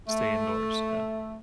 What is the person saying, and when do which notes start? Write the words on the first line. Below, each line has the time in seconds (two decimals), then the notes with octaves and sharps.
Stay indoors, yeah,
0.08 A3